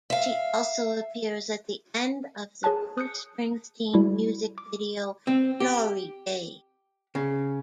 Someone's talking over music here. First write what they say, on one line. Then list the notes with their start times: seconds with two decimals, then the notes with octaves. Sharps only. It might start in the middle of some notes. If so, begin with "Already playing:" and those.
She also appears at the end of the Bruce Springsteen music video "Glory Days".
0.10 E5 F5
2.63 G#4 C#5 G#5 A5 F#6
2.97 D#6 F#6 G6 C#7
3.93 G3 E4 F#4
4.58 D6
5.27 C4
5.60 G4
7.15 C#3